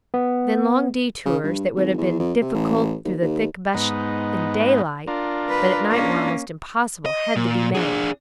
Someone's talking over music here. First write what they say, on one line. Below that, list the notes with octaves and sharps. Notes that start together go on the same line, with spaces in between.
Then long detours, that would have been difficult through the thick bush in daylight, but at night were almost impossible, had to be made.
B3
C#3
G2
G#1
E2
F2
C3
A1
D#2
D#2
G#2 B3 D#4
D4 F4 A#4
B4
A#3 C#4
D#5
A#2
D4 G#4